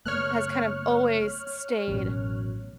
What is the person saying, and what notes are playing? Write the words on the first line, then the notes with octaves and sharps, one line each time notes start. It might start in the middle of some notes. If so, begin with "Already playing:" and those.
has kind of always stayed
F#1 A3 B3 C#5 F6 F#6
A1 F#2 B2